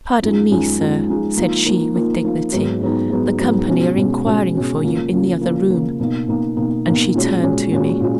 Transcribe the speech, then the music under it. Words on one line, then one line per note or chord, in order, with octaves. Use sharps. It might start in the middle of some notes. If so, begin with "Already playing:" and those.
'Pardon me, sir,' said she, with dignity--'The company are inquiring for you in the other room.' And she turned to me.
F#2 F3 G#3 D#4 G#4
F#2 F3 G#3 D#4 G#4
F#2 F3 G#3 D#4 G#4
F#2 F3 G#3 D#4 G#4
F3 A#3 D#4
F3 A#3 D#4
F3 A#3 D#4
F3 A#3 D#4
G#2 F#3 B3 D#4
G#2 F#3 B3 D#4
G#2 F#3 B3 D#4
G#2 F#3 B3 D#4
B2 G#3 C#4 F#4
B2 G#3 C#4 F#4
B2 G#3 C#4 F#4
B2 G#3 C#4 F#4
C#3 F3 A#3
C#3 F3 A#3
C#3 F3 A#3
C#3 F3 A#3
B2 A#3 D#4
B2 A#3 D#4
B2 A#3 D#4
B2 A#3 D#4
A#2 G#3 C#4 F#4
A#2 G#3 C#4 F#4
A#2 G#3 C#4 F#4
A#2 G#3 C#4 F#4